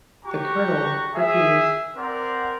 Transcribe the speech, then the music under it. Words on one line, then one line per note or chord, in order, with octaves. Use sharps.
The colonel refused.
F#4 G4 G5 A#5 C#6
G#4 E5
C4 A#4 D5 F#5